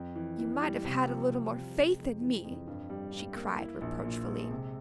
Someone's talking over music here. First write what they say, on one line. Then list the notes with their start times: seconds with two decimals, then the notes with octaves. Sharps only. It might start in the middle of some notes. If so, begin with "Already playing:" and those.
"You might have had a little more faith in me," she cried reproachfully.
Already playing: F2
0.16 E3
0.39 E3
0.61 G3
0.85 C3
1.07 F3
1.30 C3
1.52 C3
1.75 G#3
1.99 F2
2.21 E3
2.44 F2
2.67 G2
2.90 G3
3.13 G2
3.36 A#3
3.58 E4
3.81 A#1
4.05 A#2
4.28 G#3
4.51 C3